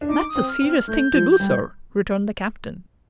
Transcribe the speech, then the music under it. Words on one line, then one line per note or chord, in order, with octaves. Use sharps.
"That's a serious thing to do, sir," returned the captain.
D4
D#4 D6
D#6
C4
F6
C4
F6
F6
A3 G6
F3
G3